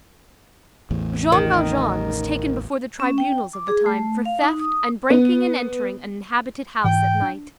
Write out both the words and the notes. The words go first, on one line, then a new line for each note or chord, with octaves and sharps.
Jean Valjean was taken before the tribunals of the time for theft and breaking and entering an inhabited house at night.
A1 E2 A2
D#3
C#4
G5
D6
G#4
A3
F5
D#4
D#6
B3
G#2 E3 G5
D4